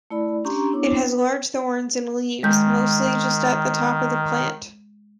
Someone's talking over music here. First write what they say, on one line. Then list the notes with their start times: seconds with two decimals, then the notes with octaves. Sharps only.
It has large thorns and leaves mostly just at the top of the plant.
0.10 A3 E4 D5 B5
0.45 C#4 D4 G4 A#5 C6 C#6
0.72 B3 D4 E4 C#5 D6
1.08 B4
2.43 D#3 G#3 G6